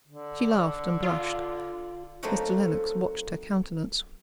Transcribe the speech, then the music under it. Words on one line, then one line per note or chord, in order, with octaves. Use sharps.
She laughed and blushed: Mr. Lennox watched her countenance.
D3
F4
F#3 A3 A#3 C4 D#4 F#4